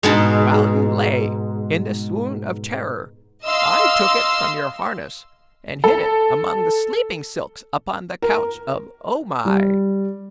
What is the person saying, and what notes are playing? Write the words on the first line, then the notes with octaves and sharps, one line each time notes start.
While you lay in the swoon of terror I took it from your harness and hid it among the sleeping silks upon the couch of O-Mai.
G#2 B2 G#3
D#5 F5 C6 E6
A4
A#4
G3